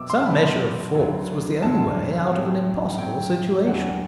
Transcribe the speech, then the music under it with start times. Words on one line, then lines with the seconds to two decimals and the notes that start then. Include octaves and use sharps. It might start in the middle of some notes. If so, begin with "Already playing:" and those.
Some measure of force was the only way out of an impossible situation.
Already playing: B2 F#3 B3 D6 E6
0.10 C6
0.21 A5
0.26 B2 F#3 B3 B5
0.95 D2 D3 F#3
1.62 D2 D3 F#3 A5
2.31 A2 F#3 C4
2.98 A2 F#3 C4 G5
3.67 E2 D3 F#3 C4 F#5